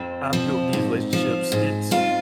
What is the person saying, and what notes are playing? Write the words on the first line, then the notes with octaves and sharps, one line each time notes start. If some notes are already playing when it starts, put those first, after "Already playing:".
I've built these relationships, it's
Already playing: F2 C4
F3
G#2
F3
G#2
F2 F4